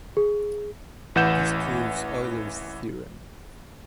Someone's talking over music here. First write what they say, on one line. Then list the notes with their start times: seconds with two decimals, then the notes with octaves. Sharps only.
This proves Euler's theorem.
0.17 G#4
1.15 A1 E3 F#5 G6 E7